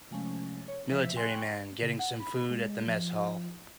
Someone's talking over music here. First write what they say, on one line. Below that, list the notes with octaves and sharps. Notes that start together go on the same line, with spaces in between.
Military man getting some food at the mess hall.
C3 F3 G#3 A3 C#4
C#5
F3 E5 E6 B6
G5 G#5 C6 C#6 F#6
C#3
F#5
B5
G#3
F3